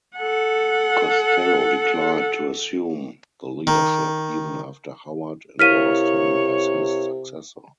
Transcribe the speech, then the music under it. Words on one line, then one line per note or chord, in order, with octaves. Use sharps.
Costello declined to assume the leadership, even after Howard endorsed him as his successor.
A4 F#5
D#3
C3 E4 A#4 C#5 F5 F6 B6 D#7